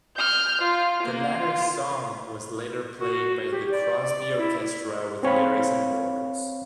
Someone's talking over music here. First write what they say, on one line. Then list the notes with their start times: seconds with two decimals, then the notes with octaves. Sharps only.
The latter song was later played by the Crosby orchestra with lyrics and horns.
0.17 F6 G6
0.61 F4
1.03 A#3
1.37 F4
2.99 F#4
3.51 G4
3.71 D5
4.01 D5
4.38 E4
5.23 C4 C#5 F5 B5